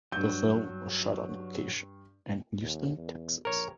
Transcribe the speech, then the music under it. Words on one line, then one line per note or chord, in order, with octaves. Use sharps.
The film was shot on location in Houston, Texas.
G2 F#3 G6
D#2
E2
A#1 A#4 C#5